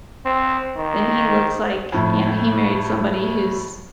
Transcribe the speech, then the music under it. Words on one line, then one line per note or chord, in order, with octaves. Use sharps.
then he looks, like yeah, he married somebody who's
C4
D#3
F2 A2